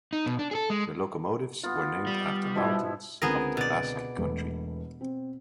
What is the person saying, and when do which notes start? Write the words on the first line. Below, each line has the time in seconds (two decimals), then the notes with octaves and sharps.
The locomotives were named after mountains of the Basque Country.
0.13 D#4
0.26 B2
0.39 D4
0.51 G#4 A4
0.70 G#3
1.63 B3 F4
2.07 G3
2.55 B2 F3 E4
3.22 C#2 D3 B3 C4 G#4 A#4
3.57 B2 D5
4.17 E1 A3 B4
5.01 C4